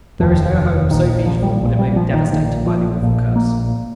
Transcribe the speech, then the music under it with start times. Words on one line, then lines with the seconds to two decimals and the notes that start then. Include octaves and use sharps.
There is no home so beautiful but it may be devastated by the awful curse.
0.20 F1 D#2 F3
0.90 A#1 A#2 D#3
1.26 F3
1.42 G3
1.60 A#1 A#2
1.79 G3
1.96 F3
2.14 D#3
2.31 A#1 A#2 D#3
2.67 F3
3.01 A#1 A#2
3.36 A#3